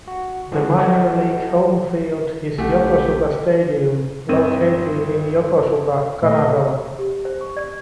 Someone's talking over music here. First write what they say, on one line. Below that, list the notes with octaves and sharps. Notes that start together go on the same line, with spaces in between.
The minor league home field is Yokosuka Stadium, located in Yokosuka, Kanagawa.
F#4
G#2 E3 F3 C#4 F#4 G#4
F#4 A4 D5 D#5 F#5 G5
A#1 C#3 G#3 A3 G4 F#5 G#5
G1 C4 D#7
A#2 A3 D#5
G4
C5
C#6
D5